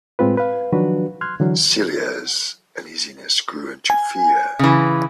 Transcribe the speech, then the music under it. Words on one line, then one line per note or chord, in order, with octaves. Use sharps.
Celia's uneasiness grew into fear.
A2 G#3 C4 F4 B4
B4 F5
D#3 F3 F#3 D4 F#4 B4
C6 F6 F#6 G#6
D3 E3 F#3
G#5
C#3 E3